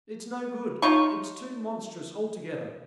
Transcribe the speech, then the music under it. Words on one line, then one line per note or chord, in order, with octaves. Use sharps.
It's no good; it's too monstrous altogether.
D#4 F4 C#5 C#6